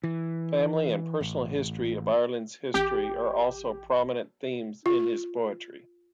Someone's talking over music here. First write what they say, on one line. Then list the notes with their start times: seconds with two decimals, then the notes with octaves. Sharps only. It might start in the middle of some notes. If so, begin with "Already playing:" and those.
Family and personal history and Ireland's history are also prominent themes in his poetry.
0.04 E3
1.21 A1
2.74 A1 G4
4.86 F4